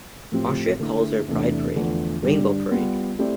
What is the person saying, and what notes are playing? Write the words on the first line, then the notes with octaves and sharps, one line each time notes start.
Austria calls their Pride Parade "Rainbow Parade".
A2 F3 C4 G4
D3 A3 E4
E2 C3 E3 A3 D4
E2 D3 F3 A3
G2 D3 G3 D4 G4
G3 B3 F4
A3 C4 E4 G4 D5